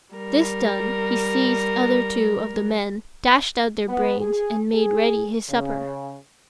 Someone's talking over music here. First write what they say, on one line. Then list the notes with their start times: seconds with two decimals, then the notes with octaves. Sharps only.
This done, he seized other two of the men, dashed out their brains, and made ready his supper.
0.14 G3 A#4
3.88 B3
4.21 G#4
4.74 G#4
5.50 C#3